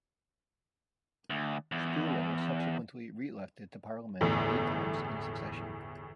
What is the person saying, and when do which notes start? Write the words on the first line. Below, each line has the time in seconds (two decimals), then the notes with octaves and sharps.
Sproule was subsequently re-elected to Parliament eight times in succession.
1.30 D2
1.72 E2
4.21 G1 E2 A2